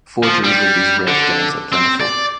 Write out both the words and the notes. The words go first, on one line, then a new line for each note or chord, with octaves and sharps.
Forgeries of these rare stamps are plentiful.
F3
G3
D3
C4
D5